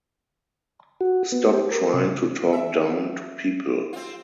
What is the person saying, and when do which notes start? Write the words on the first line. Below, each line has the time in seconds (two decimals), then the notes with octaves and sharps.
Stop trying to talk down to people.
1.01 F#4
1.32 B3
1.53 G4
1.71 A#4
1.94 C3
2.53 E5
3.93 C4 F4